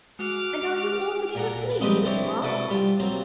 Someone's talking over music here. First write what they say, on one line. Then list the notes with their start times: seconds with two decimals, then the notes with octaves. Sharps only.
"And are you altogether pleased with Bath?"
0.19 G#3 F#4 D6 F6
1.35 A#2 A#4 F#5
1.81 F3 G3 G#3 C4 G4 B4
2.05 C4 D4 E4 C#5
2.42 E4 F#4 A4 B4 D5 C#6
2.70 G3 F4
2.99 F#3 A#3 C4